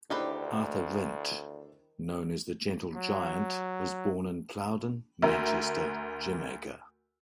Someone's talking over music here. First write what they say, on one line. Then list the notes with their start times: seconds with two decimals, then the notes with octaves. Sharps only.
Arthur Wint, known as the "Gentle Giant", was born in Plowden, Manchester, Jamaica.
0.10 D2 D#3 D4 E4 G4 B4 C5
2.96 F#3
5.22 D2 A#4 E5